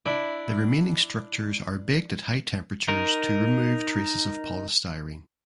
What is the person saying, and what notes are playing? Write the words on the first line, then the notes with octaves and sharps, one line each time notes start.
The remaining structures are baked at high temperatures to remove traces of polystyrene.
D4 E4 D5
D#4 A#4